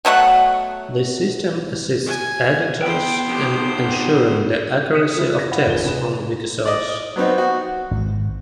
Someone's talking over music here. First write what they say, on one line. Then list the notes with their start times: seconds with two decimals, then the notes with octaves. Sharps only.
This system assists editors in ensuring the accuracy of texts on Wikisource.
0.05 B2 F#3 A3 F#5
2.06 G#5
2.82 B3 C5 G5
3.29 F2 G4
4.94 D#6 F#6 B6 C#7 D#7 E7
5.17 F3 E4 G#4 B4
5.39 A#6
5.51 C#5 D#5 F5 F#5 B5
5.66 F1 F4 G#4 A#4 G7
5.84 C3 G#4 B4 E7
6.65 D5 D#5
7.16 F#3 B3 C4 D#4
7.38 F#4
7.91 G#1